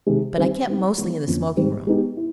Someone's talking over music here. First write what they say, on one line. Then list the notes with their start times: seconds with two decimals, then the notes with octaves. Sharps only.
But I kept mostly in the smoking-room.
0.06 C3 D#3 G#3
0.37 D#3 G3 C4 D#4
0.67 G3 C4 D#4
0.97 E3 G#3 B3 E4
1.27 F2 D3 F3 A#3 C#4
1.57 G#2 D#3 G3 C4
1.87 G#3 B3 D#4 G4
2.17 E4